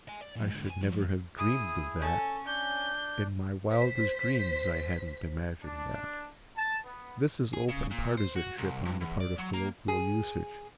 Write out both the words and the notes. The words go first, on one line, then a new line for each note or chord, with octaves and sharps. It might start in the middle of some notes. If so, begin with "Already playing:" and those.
"I should never have dreamed of that," "in my wildest dreams I hadn't imagined that." This is open partisanship on the part of colloquial usage.
D#5 G#5
D5
A#2 F3
G#2 D3
B4 G#5
F3 F#3
E4 G#4 D#6
C#4 A4
D4 G6
C5 B6
D4
A5
B3
G#4
C#3
A#2
C5
F#4
C2
G2
E2
D5
F#3
A#3
G#4